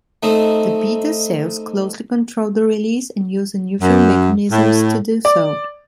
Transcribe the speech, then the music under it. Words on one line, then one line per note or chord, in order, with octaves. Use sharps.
The beta cells closely control the release, and use unusual mechanisms to do so.
A3 C4 D#4
F#2
A2
D5